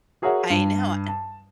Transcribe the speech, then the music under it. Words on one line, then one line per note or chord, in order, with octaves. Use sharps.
I know an
F#4 G#4 A#4 C#5 E5 F#5
G2
A5